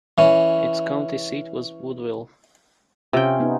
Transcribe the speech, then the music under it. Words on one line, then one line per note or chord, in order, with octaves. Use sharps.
Its county seat was Woodville.
E3 C#4
C3 C#4 F4 G5
B3 D#4